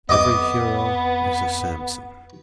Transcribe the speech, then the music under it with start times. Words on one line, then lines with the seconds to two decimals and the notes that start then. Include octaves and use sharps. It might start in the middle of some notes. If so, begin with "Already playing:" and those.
Every hero is a Samson.
0.09 F2 B3 D#5 D6 D#6